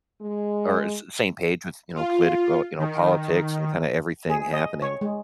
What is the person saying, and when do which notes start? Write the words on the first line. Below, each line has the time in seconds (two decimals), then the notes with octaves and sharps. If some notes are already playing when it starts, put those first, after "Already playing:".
or s same page with, you know, political you know, politics and kinda everything happening.
0.21 G#3
1.95 F4
2.79 D#3
4.30 G#4
4.53 D#5
4.82 C#5
5.01 G#3